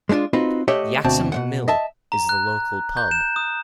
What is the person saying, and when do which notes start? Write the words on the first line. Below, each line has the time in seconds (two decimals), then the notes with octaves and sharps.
Yaxham Mill is the local pub.
0.09 G#3 A3 C#4 D4 F4
0.33 C4 D#4 F4 F#4 B4
0.68 A3 G4 C#5 D#5 E5 F#5
1.04 D2 B2 C4 A5
1.32 B2 G#3 F#5
1.68 D#5 E5 A5
2.12 A#5
2.29 F#6
2.97 G6
3.11 E7
3.36 D#6